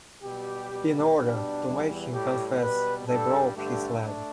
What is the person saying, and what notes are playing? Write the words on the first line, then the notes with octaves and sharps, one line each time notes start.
In order to make him confess, they broke his leg.
B2 G3 G4
B2 G3
B2 G3 D4
E2 E3 G3
A2 G3 G4
B2 G3 B4
G2 G3 A4
G2 D3 A3 G4
A3 D4